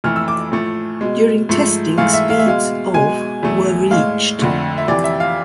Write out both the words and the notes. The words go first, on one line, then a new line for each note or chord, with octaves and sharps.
During testing speeds of were reached.
F2 E3 A3 F6
E6
D6
A2 F3 A3
B2 G#3
G#2 F3 A3
G#2 E3 A3 F5
E5
F5
E5
B2 G#3 F5
B2 G#3 G#5
E2 B2 A3
A2 G#3 F5
F2 D3 A3
E5
F2 C3 E3 D5
E5
F5